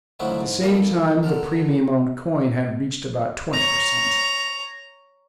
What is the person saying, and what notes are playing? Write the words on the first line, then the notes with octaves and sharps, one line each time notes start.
At the same time the premium on coin had reached about twenty per cent.
D3 F3 F#3 A3 D#4 E4
G#2
G3 A#3 D#4 A4 G5
D3 G4 A4 A#4
C#5 A#5